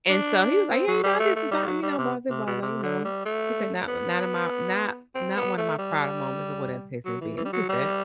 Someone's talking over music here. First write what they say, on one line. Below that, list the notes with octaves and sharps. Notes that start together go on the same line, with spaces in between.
and so he was, like, "Yeah, you know, I did some time, you know," blasé, blasé, you know. He said, "Not not of my not not one of my prouder moments or whatever case may be." I get that.
D4
C4
F#3
G3
A3
A3
G3
F#3
G3
C3
C3
B2
C3
D3
G3
A3
B3
C4
B3
A3
G3
F#3
E3
E3
G3
F#3
G3